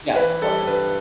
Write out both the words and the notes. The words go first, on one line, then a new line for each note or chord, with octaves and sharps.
Yeah, of course.
E3 B4
G3 A4
G2 B4